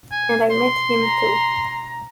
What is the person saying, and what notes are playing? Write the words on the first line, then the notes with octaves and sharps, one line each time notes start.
And I met him, too.
G#5
C6
A#5